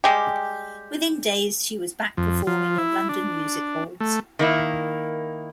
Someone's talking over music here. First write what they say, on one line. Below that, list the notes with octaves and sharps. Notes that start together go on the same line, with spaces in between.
Within days she was back performing in London music halls.
G3 G#3 G4
F2
F3
E4
D4
A3
D#3 A#3 E4